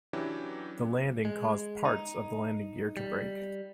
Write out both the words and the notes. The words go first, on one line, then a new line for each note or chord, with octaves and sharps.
The landing caused parts of the landing gear to break.
E3 F#3 C#4 D4 E4 G4
G#3
D#4
G3